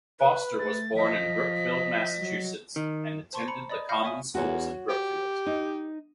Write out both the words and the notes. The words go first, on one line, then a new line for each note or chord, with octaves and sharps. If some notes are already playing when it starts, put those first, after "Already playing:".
Foster was born in Brookfield, Massachusetts, and attended the common schools in Brookfield.
B4 F#6
A3 A6
F3 D#5 B6
F#3
D#3
C5 A5 C6 C#6
A#5 B5 C#7
D5 D#5 B5 D#6
F5 B5 F6 G6 A#6 C#7
C#5 E5 G#5 D#6 D#7
E2 F#4 C#5
G4
D#4